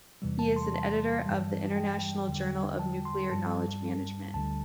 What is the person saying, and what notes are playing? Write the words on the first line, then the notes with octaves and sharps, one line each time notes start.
He is an editor of the International Journal of Nuclear Knowledge Management.
E2 C3 E3 G3
A5
C6
A5
G2 E3 G3
G5
E2 D3 G3
A5
C6
G2 G3 A5
D2 D3 G3 A5